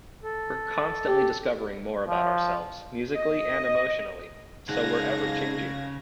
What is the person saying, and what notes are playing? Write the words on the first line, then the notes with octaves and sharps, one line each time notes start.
We're constantly discovering more about ourselves musically and emotionally, so we're ever-changing.
A4
G4
F3
D#5
G#2 C#3 F5 F#5 G#6 A#6